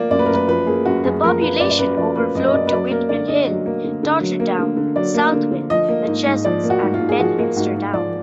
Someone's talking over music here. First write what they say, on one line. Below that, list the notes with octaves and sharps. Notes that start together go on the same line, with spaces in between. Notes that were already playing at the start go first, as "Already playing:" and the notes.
The population overflowed to Windmill Hill, Totterdown, Southville, the Chessels and Bedminster Down.
Already playing: F3 A#3 D5
F#2 D5
B4
A#4
F#2 B4
F3 B4
A#3 G#4
F#2 F#4
F#2 G#4
F3 A#4
A#3 B4
F#2 D5
D5
F#2 B4
F3 D5
A#3 B4
F#2 D#5
D#5
F#2 D5
B4
F#3 D5
A#3 A#4
D3 D5
D3 D#5
F#3
A#3
D3
D3
F#3
A#3
D3
D3
F#3 D5
A#3
D3
D3
F3 D#5
A#3
G#2
G#2
F3 D5
A#3
F#4
G#2
F4
G#2
G#4
F3 F#4
A#3
G#2 F#4
G#2
F3 D5